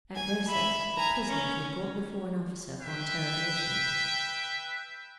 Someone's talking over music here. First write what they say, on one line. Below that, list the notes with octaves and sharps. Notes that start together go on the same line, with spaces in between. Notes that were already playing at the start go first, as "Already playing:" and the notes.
At Rosas the prisoners were brought before an officer for interrogation.
G#5
E5 B5
G#5 A#5
C#4
B4 E5 G5